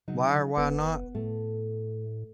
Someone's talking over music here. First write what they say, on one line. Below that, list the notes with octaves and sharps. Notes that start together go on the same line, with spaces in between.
Why or why not?
C#3 F#3 D#4
F#1 B3
A2 A3